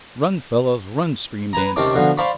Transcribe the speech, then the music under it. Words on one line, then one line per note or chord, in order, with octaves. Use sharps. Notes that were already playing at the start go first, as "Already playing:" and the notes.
"Run fellows, run!" screamed Andy.
B4 G#5 A#5
C3 D#3 C#4 A5 D6
B2 D3 F3
C5 D5 F5 A5 B5 C#6